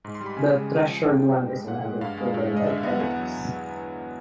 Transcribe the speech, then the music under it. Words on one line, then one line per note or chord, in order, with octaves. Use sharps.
The Treasured One is another thriller by Eddings.
G#2
C6
G3
B5
C#3 G#5
G#3
F#2
F3
G#2 G5
G3
G2
G#3
G#2 F#5
G#3
G2 F5
G#3
G2
G#3
D#5
D3 E5
F5
B3
F#5
E2 F#5
F#5
F#3